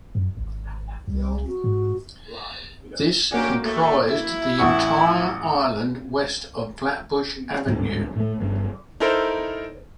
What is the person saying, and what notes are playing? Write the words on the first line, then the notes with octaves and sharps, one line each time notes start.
This comprised the entire island west of Flatbush Avenue.
F#2
G#1
C2 G3
F#4
G#2
A#3 C#4 D4 F#4 G4
A2 A3
E4
A1 F#5 C#6
D1 G#2 D3 G3
A2 A3
G1 G2 C#3
D#4 E4 A4 A#4 C5